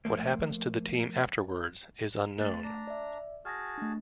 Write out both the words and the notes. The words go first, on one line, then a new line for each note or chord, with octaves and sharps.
What happens to the team afterwards is unknown.
F3 A3 A#3
A3 A6
D4 A#5
D5 E5
F#4 G#4 A5 F6 A#6
A3 D4